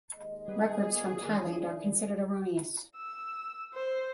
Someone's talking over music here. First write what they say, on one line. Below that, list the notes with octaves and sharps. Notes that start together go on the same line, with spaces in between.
Records from Thailand are considered erroneous.
D#2 G#2 D#5
G3 B3 G#4
A#2 A#3
D#3 E3 C#4 D4
D#3 E4 D5
E6
C5